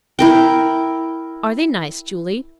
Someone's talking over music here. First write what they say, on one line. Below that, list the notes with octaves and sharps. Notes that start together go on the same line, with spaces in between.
"Are they nice, Julie?"
E4 A#4 G5